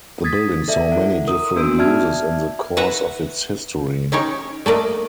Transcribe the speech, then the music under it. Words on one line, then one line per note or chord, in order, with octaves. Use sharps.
The building saw many different uses in the course of its history.
D#6 G#6 A6 B6
A4 D5 E5
E4 F#5
A#4 D#6
B3 D4 F#4 E6 D7
D5 E5 A5 F6 G#6
B4 E5 F#5 A#5
C#4 D#4 G4 C#5
A3 A#3 D5 D#5